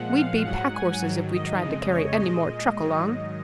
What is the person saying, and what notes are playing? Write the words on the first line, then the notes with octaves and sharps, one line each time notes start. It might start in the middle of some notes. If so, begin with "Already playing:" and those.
"We'd be pack horses if we tried to carry any more truck along."
Already playing: A#2 F3 G#3 F#5
F5
G#2 F#3 F#5
G#5
G#2 D#3 F#3
D#5
F2 C#3 G#3
C#5
A#2 G#3 D#5
G#2 D#3 F#3 D#5